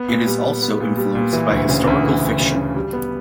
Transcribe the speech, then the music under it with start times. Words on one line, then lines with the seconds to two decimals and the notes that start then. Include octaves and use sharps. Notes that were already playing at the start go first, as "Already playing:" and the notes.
It is also influenced by historical fiction.
Already playing: B3
0.08 A#2
0.26 G3
0.44 A#2
0.62 B3
0.80 A#2
0.97 G3
1.15 A#2
1.33 E3
1.51 D2
1.69 C#3
1.87 D2
2.04 E3
2.22 D2
2.40 C#3
2.58 D2
2.76 G3
2.93 B3